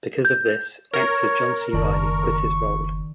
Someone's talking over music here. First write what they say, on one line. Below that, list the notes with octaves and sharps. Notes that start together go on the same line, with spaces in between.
Because of this, actor John C. Reilly quit his role.
G6
A#4 C#5
F#1 D#2 D#3 D5 A5 C#6